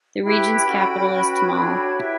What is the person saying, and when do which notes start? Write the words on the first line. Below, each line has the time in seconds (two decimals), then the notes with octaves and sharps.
The region's capital is Tamale.
0.23 E4 G4 B4 G5 B5
0.66 C#4 F#4 A4
1.10 C#4 F#4 B4
1.53 D4 F#4 A4 C#5
1.87 A5
1.96 E4 G4 B4 E5 G5